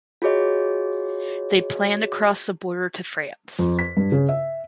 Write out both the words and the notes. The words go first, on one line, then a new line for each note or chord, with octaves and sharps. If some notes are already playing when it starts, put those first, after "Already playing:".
They plan to cross the border to France.
F4 F#4 G#4 C#5 D#5
F2
B6
G2
C#3
E5